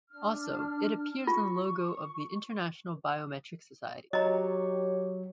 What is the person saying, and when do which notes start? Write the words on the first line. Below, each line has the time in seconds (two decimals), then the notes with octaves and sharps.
Also, it appears in the logo of the International Biometric Society.
0.10 D4 F6
1.27 F4 C#6
4.13 F#3 G4 C#5 D#5 A#5